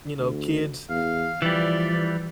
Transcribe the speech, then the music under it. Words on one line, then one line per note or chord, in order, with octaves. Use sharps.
you know, kids
D2
E2 F5
E3 F3 G3 D5